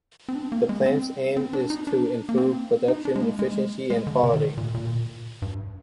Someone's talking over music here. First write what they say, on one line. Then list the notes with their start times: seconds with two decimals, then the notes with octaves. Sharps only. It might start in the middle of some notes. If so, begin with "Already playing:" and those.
The plan's aim is to improve production efficiency and quality.
0.29 C4
0.35 D4
0.52 A#3
0.69 G#3
0.86 C4
1.37 C4
1.53 D4
1.70 D#4
1.87 D4
2.29 A#3
2.38 C4
2.88 D#4
3.05 D4
3.16 G#3
3.22 A#3
3.39 G#3
3.90 G#3
4.07 D3
4.23 C3
4.33 D#3
4.41 D3
4.57 A#2
4.74 A#2
5.42 G2